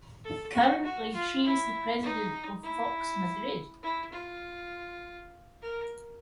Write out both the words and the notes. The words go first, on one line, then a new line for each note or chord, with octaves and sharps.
Currently she is the president of Vox Madrid.
A4
F#4
F#4
F4
E4
D#4
E4
E4
F4
A#4